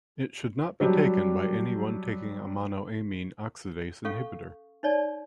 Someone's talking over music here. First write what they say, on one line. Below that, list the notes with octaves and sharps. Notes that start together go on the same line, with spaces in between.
It should not be taken by anyone taking a monoamine oxidase inhibitor.
F#3 G3 D4 G4
C#4 A4 F5 C#6
D#4 C#5 D5 A5